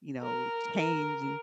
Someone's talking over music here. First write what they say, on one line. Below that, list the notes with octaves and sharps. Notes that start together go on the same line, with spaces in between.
you know, change, and
A#4
A#4